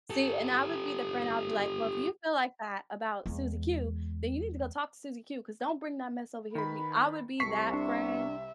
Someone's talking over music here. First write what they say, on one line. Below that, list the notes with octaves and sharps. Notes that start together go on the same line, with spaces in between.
See, and I would be the friend, I'll be like, "Well, if you feel like that about Susie Q, then you need to go talk to Susie Q, 'cause don't bring that mess over here to me." I would be that friend,
G4 A4
E2 G#3
D#3 B4 B5
C2 C3 A4 C#6 B6 C7
D4 E5